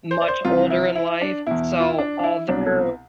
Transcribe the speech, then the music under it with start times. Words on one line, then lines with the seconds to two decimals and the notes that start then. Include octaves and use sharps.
much older in life, so all their
0.11 C5
0.22 D5
0.28 C5
0.45 C2 C3 E3 F4
0.70 E4
0.95 E4
1.21 D4
1.47 E2 B2 E4
1.80 F4
1.89 E4
1.98 D4
2.19 D4
2.24 E4
2.49 C2 B2 D4
2.66 A4